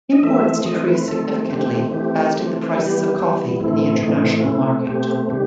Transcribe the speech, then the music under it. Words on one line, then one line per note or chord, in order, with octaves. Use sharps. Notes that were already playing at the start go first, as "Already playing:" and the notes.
Imports decreased significantly, as did the prices of coffee in the international market.
D#5
E3 A3 C4 E5
E3 A3 C4 D#5
B4
D#3 A3 C4 A4
D#3 A3 C4 G4
E3 A3 C4 G4
E3 A3 C4
E3 G3 B3 G4
E3 G3 B3
A2 E3 A3 C4 E4
A2 E3 A3 C4 D#4
F#4
B2 A3 C4 E4
B2 A3 C4 G4
C3 D#3 G3 G4